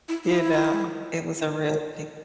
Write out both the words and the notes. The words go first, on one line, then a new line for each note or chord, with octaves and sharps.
You know, it was a real big
E4
E4